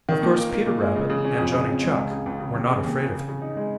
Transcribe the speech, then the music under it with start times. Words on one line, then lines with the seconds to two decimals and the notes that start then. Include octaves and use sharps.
Of course Peter Rabbit and Johnny Chuck were not afraid of him.
0.09 D#3
0.23 A#2
0.37 A#3
0.51 A#3
0.66 A#2
0.81 G#3
0.96 C#3
1.10 C#3
1.24 C#4
1.38 F2
1.53 C#3
1.68 F2
1.82 G#3
1.96 C#2
2.11 C#3
2.26 C#2
2.40 C#3
2.55 D#2
2.70 C#3
2.84 D#2
2.99 C#3
3.13 C#3
3.28 C#3
3.42 D#4
3.57 G#3